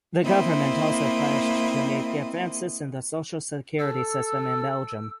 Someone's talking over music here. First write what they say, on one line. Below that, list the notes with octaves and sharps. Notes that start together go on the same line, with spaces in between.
The government also pledged to make advances in the social security system in Belgium.
A#3 C4 E4 D#5
A4 E6